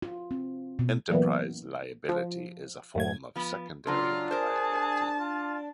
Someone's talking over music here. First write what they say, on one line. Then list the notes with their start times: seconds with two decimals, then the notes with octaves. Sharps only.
Enterprise liability is a form of secondary liability.
0.02 F4
0.31 C4
0.79 B2
1.10 F#2 A#2 E3 B3
2.09 F3
2.95 F#2 A2 G#6
3.36 F3 B3
3.87 C#3 F#3 D4 F4 F5 C6
4.31 G#4 A#4 C5 A5
5.20 F4